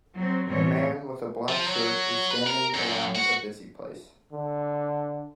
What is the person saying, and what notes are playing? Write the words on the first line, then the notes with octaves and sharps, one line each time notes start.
A man with a black shirt is standing around a busy place.
F#3 C4
A2 E3 G3 C4 C#5
F3
F#3
B4
A#4
F#2
F#4
D3